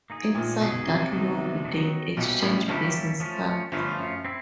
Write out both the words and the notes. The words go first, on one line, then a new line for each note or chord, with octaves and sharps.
Inside that lobby they exchanged business cards.
A#3 D#4 G#4
A#1 A#2
B1 B2 A#3 D#4 G#4
C2 C3
D#3 F#3 B3 D#4
D#3 F#3 B3 D#4
B1 B2 G3 A#3 C#4 E4 G4
A1 A2
G1 G2 G3 A#3 C#4 E4 G4
F3 A3 C#4 F4
G1 G2 F3 A3 C#4 F4
F#2
C4 E4